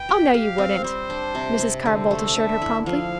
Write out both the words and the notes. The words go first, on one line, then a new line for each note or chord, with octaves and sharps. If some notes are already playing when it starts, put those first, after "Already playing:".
"Oh, no, you wouldn't," Mrs. Carr-Boldt assured her promptly.
Already playing: B4 G5
G4
G4 F5
C4
G3 C5
D4
C3
C3
D3 C5
A3
D3 E5
E4
F3 F5